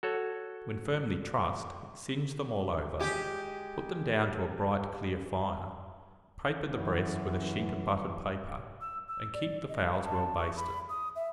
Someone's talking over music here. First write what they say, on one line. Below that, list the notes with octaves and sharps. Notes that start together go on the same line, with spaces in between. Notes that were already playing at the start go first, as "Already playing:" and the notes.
When firmly trussed, singe them all over; put them down to a bright clear fire, paper the breasts with a sheet of buttered paper, and keep the fowls well basted.
F#4 A4 C#5
G#3 G4
F#2 E3
E6
E6
D5
D#5
F5
A5
C#6
B5
D#6
E5